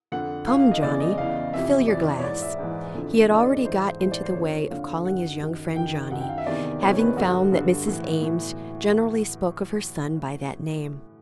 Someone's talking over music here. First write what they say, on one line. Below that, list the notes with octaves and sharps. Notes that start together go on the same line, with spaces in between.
"Come, Johnny, fill your glass." He had already got into the way of calling his young friend Johnny, having found that Mrs. Eames generally spoke of her son by that name.
F2 D3 F#5
F2 D3 F5
F5
D#5
E2 C#3 E3 D5
D#5
E2 C#3 E3 F5
F2 C3 E3 E5
F2 C3 E3 D5
C#5
G#2 E3 D5
E5
G#2 E3
F2 D3
F2 D3 D#5
D5
D#5
G#2 E3 C5
G#2 E3 C5
D5
C5
F2 D3 C#5
F2 D3 F5
F#2 D#3 F#5
F#2 D#3
F#2 D#3 G5
F#2 D#3 F#5
G5
F5
E5
E2 C3 D#3 D5
E2 C3 D#3 C#5
B4
G2 D3 F#4
G2 D3
A2 E3
A2 E3